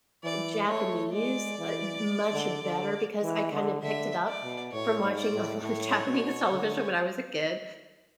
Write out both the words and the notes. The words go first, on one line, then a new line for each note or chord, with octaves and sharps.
Japanese, uh, much better because I kind of picked it up from watching a lot of Japanese television when I was a kid.
E3 D5
A3 C#5
G#3 D5
E3
D3
D3
E3
D3
D3 E5
D5
B2
A2 C#5
G#2
D5
A2
A2 C#5
B2
D3